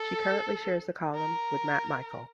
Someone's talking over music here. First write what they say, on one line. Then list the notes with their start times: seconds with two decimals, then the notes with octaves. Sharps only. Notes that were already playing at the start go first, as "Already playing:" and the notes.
She currently shares the column with Matt Michael.
Already playing: A4
1.15 A#4